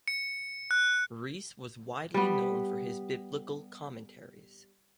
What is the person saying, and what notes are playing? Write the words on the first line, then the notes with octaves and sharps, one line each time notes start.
Rees was widely known for his biblical commentaries.
C#7
F#6
G3 B3